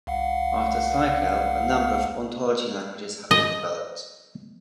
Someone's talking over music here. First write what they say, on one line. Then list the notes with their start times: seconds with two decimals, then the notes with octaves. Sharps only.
After CycL, a number of ontology languages have been developed.
0.07 C2 F5 F#5
3.31 D#5